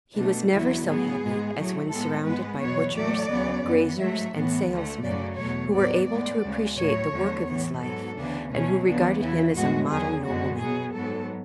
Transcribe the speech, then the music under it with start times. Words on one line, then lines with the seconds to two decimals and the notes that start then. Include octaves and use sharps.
He was never so happy as when surrounded by butchers, graziers, and salesmen who were able to appreciate the work of his life, and who regarded him as a model nobleman.
0.16 B2 A3 D4
0.50 E2 D3 F#3 B3 E4
0.85 A2 F#3 B3 G#4
1.20 G#2 G#3 B3
1.55 A2 F#3 A3
1.89 A2 G#3 B3 A4
2.25 G#2 G#3 B3 B4
2.59 E2 B2 F#3 B3 C#5
2.94 A2 F#3 A3 D5
3.29 D2 C#3 F#3 B3
3.63 F#2 E3 B3
3.98 G#2 F#3 A3 E5
4.33 A2 E3 B3
4.68 D2 D3 A3
5.03 F#2 C#3 F#3 A3 D5
5.37 E2 B2 A3 C#5
5.72 A2 F#3 B3 D5
6.07 A2 G#3 B3 D5
6.42 D2 C#3 G#3
6.76 A2 F#3 A3 C#5
7.11 E2 D3 F#3 A3
7.46 A2 E3 B3
7.81 G#2 F#3 B3 A4
8.16 D2 C#3 E3 B3 D4
8.50 B2 A3 C#4
8.85 D2 C#3 E3 B3 D4
9.20 E2 C#3 E3 E4
9.55 A2 G#3 B3 F#4
9.89 E2 D3 F#3 G#4
10.25 F#2 D3 G#3 B3 F#4
10.59 B2 F#3 B3 G#4
10.94 G#2 F#3 B3 A4